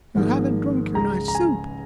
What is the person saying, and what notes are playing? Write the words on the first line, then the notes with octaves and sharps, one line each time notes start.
"You haven't drunk your nice soup."
G#1 G#2 F3 A#3
C#2 C#3 G#3 A#5
A#5
G#5